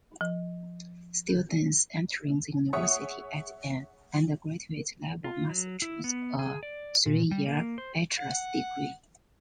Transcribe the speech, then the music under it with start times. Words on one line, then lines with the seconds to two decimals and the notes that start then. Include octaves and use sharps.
Students entering the University at an undergraduate level must choose a three-year bachelor's degree.
0.21 F3
2.73 G#4 C#5 E5 F#5 C#6 D#6
5.24 F4
5.49 F#3
5.82 E4
6.04 B3
6.39 G#4
6.63 D5
7.06 A#2
7.31 G3
7.46 A#3
7.78 C5
8.18 F#5